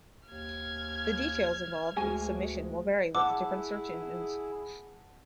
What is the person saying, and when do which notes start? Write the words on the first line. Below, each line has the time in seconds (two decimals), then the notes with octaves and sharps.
The details involved with submission will vary with the different search engines.
0.28 D#2 F6 G#6
1.96 D2 G#3 F#4 G#5
3.15 E4 G#4 F#5 A5 D6 E6